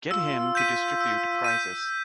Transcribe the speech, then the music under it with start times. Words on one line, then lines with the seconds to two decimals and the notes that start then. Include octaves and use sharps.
Get him to distribute prizes.
0.11 F4 E6
0.55 G6 B6 D#7
1.01 E6
1.44 G6 B6 D#7